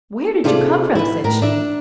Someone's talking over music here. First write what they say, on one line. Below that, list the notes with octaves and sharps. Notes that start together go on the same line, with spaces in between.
"Where did you come from?" said she.
C3 E4 F4 G#4 A4 D5
E4 B4
A2 A#4
D4 E5